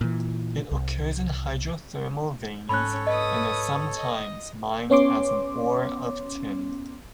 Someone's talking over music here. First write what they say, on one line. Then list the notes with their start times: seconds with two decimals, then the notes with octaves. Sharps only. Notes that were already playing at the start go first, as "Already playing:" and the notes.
It occurs in hydrothermal veins and is sometimes mined as an ore of tin.
0.01 A#2 E3
0.71 C2
2.69 G#2 C#4 A4 C#5 B5 F#6
3.07 B4 D#5 D#6
3.96 D#5
4.90 B3 C#4 C#5 C6 D6